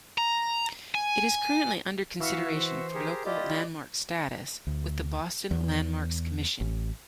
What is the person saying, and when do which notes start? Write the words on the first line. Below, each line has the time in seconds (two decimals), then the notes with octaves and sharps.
It is currently under consideration for local landmark status with the Boston Landmarks Commission.
0.18 A#5
0.95 G#5
2.20 E3 F#4 E5 F5 C#7
2.55 C5
2.94 G4 G#4 A#4
3.25 E4 F4 G4 D5 D#5
4.67 D2
5.51 E2
6.61 A1